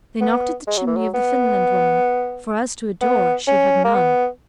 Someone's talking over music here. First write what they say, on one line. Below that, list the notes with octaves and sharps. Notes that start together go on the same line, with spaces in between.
They knocked at the chimney of the Finland woman; for as to a door, she had none.
B3
G#3
F#3
E3
F#3
B3
B3
C#4
A#3
B3